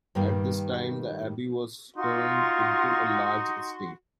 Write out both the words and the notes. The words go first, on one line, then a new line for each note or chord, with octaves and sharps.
At this time, the abbey was turned into a large estate.
G2 D#3 G3 A#3
D#4 F4 F#4 C6